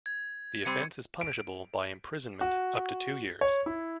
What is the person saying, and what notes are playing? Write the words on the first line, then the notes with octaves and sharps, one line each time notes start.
The offense is punishable by imprisonment up to two years.
G#6
C3 G3 C4 C#7 D#7
D7
F#4
C#5
E4